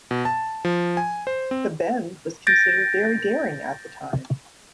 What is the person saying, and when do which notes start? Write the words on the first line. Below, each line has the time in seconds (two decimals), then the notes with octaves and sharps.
The "bend" was considered very daring at the time.
0.11 B2
0.25 A5
0.65 F3
0.97 G#5
1.27 C5
1.51 C4
2.47 G6 A6 A#6 D7